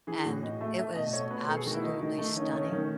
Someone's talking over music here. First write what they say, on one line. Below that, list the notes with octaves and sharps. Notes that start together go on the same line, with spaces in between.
and it was absolutely stunning,
E3 G#4
A2 F#4
A2 D#5
A3 E5
A3 E5
B2 D#5
D#5
A3 C#5
B2 B4
A3 A4
G#4
D#3 F#4
E4
A3 D#4
D#3 D#4
A3 D#4
D#3 C#4
D#4
A3 C#4
D#4
D#3 C#4